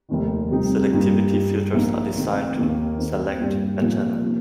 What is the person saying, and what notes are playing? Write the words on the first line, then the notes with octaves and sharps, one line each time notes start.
Selectivity filters are designed to "select" a channel.
F1 D#2 D#3
F1 F2 C3 G3 D#4
G2 G3 A#3 D#4
G2 G3 D#4
A#1 A#2 A#3 D#4
F1 F2 D#3
D#2 D#3 A#3 D#4
F2 D#3 C4 D#4
G2 G3 A#3
C2 A#2 F3 D#4
C3 F3 A#3